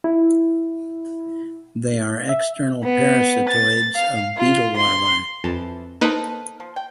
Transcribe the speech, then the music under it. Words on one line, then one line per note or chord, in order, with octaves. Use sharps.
They are external parasitoids of beetle larvae.
E4
E5
B3
A6
F5
F4
C6
F2 E3 A5
A#3 D#4 A4 B4 C5
F3
G5